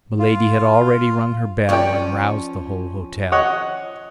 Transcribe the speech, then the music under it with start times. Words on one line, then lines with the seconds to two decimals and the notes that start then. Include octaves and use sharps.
Milady had already rung her bell, and roused the whole hotel.
0.19 F4
1.69 F3 C#4 C#5 D5 G5
3.32 C#5 D#5 F#5